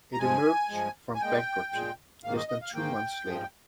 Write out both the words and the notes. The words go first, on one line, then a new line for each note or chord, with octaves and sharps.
It emerged from bankruptcy less than two months later.
A#5
G2 F3 G#3 G#5
G2 F3 G#3
G#5
A#2 G#3 G5
A#2 G#3
G#2 D#3 A#3 F5
D#5
D#5
F5
G#2 D#3 A#3 G5
G2 F3 G#3